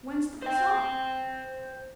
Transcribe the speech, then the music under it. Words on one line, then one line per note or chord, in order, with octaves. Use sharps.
'When's the bazaar?'
C5 G5